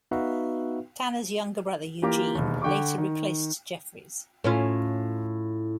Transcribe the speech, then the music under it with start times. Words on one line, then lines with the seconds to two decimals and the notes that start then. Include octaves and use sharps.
Tanner's younger brother, Eugene, later replaced Jeffries.
0.11 B3 D#4 F#4 B4 E5 F5
2.02 E3 A#3 F4 G4 A#5 D6
2.35 E1 D#2
2.62 D3 G5 C#6 D6
2.98 D#3
4.44 A2 C#4 F4